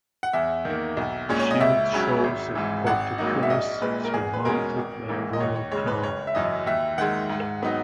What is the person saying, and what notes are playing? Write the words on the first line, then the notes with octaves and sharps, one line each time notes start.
The shield shows a portcullis surmounted by a royal crown.
F#5
E2 E5
D#3 A#3
B1
A#2 G#3 C#4
C#5
D#5
C#2 E5
C#3 F#3 C#4
G#1
G#2 E3
G#1 F#5
G#2 F#3 A#3 D#4
E5
A#1 D#5
A#2 G#3 B4
A#4
E2 G#4
B4
B2 G#3 C#4 A#4
G#1
G#2 E3 A#3
D#5
D#2 C#5
C#5
C#3 G#3 C#5
B4
F#1 C#5
E5
F#2 E3 D#5
D#2 E5
D#3 G#3 F#5
G#2
F#3 B3 D#4